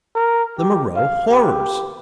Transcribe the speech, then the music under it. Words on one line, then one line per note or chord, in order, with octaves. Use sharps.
"The Moreau Horrors!"
A#4
G4
F5
G4